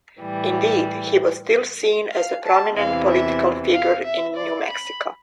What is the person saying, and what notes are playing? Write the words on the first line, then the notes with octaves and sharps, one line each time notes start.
Indeed, he was still seen as a prominent political figure in New Mexico.
A2 E3 G3
F5
A5
E2 C3 E3 F5
E5
F5
E5
D5
B5